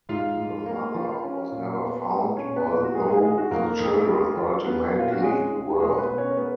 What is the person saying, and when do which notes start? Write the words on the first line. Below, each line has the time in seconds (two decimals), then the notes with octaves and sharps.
The mother was never found, although the children ultimately were.
0.09 G#2 F4 F5
0.37 G#2
0.66 A#3
0.94 F3
1.23 C#4
1.52 A#2
1.80 B3
2.09 G#3
2.37 A#2 C#4 C#5
2.56 B3 B4
2.65 A#2
2.84 F#4
2.95 G#3 G#4
3.08 G#3 G#4
3.22 D#3 G#3 G#4
3.38 F#4
3.51 F2 A#3 A#4
3.80 F2
4.08 G#3
4.36 F3
4.65 B3
4.94 A#2
5.00 F4
5.11 F#4
5.22 G#3 C#4 G#4
5.52 G#3
5.79 B2 G#3 G#4
5.98 B3 B4
6.08 B2
6.18 C#4 C#5
6.29 A#4
6.36 G#3 B3 B4